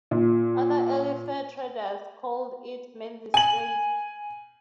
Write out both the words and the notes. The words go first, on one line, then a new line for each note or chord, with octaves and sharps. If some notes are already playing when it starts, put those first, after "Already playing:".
Other early fur traders called it Menzies Strait.
A#2
G#5 F#7